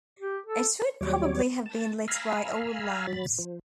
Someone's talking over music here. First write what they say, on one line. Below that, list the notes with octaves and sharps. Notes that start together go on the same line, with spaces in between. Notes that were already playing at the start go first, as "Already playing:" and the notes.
It would probably have been lit by oil lamps.
G4
A4
D#2 F#3 G3 C#5 D6
A5
F5 G#5 A#5 B5 E6 F6
F#3 B5 A6
F3